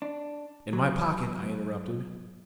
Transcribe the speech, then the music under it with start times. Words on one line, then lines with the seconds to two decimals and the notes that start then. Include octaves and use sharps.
"In my pocket!" I interrupted.
0.02 D4
0.73 F#3